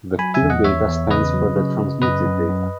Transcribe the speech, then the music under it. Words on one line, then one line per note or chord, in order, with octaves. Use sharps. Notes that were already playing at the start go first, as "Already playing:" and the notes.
The field data stands for the transmitted data.
F#3 G#5 B5
E5 G#5
E2
D#5 F#5
E2 C#5 E5
E2
C#3 B4 D#5
F#3
C#3
C#3
F#2 B4 D#5
F#2
F#2